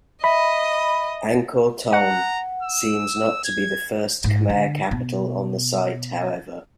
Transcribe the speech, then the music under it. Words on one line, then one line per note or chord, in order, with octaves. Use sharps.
Angkor Thom seems not to be the first Khmer capital on the site, however.
D#5 E5 B5
F#5 A#5
E6
G#6
G#2
D3
B2